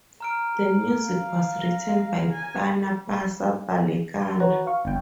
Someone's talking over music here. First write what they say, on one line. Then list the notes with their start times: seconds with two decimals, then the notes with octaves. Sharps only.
The music was written by Panapasa Balekana.
0.20 A#5 F6 D7
1.07 F5
1.62 A#6
2.31 G#5
4.40 F#4 B4 C#5 A#5
4.67 F5 C#6
4.85 G1 G5